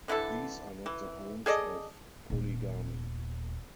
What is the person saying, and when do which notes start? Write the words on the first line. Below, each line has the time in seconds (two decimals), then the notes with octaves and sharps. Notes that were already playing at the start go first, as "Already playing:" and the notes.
These are not the homes of polygamy.
0.08 D3 E3 E4 A4
0.86 E3
1.46 G#4 A4 D5 D#5
2.30 D#1 B3